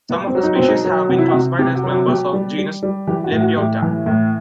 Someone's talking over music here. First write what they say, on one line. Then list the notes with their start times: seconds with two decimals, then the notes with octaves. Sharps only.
Some of the species have been classified as members of genus "Lepiota".
0.09 B2 B3
0.27 C4
0.35 F#3
0.43 D#4
0.55 B2 C4
0.68 D#4
0.84 F#3
1.09 C3 F#4
1.18 E4
1.28 F#4
1.34 C3
1.59 C3 G4
1.75 F#4
1.84 F#3
1.92 F#4
2.08 B2 G4
2.33 G3
2.58 G3
2.83 G3
3.07 E3 G4
3.24 F#4
3.32 A2
3.41 F#4
3.57 A2 G4
3.82 E3
4.06 A2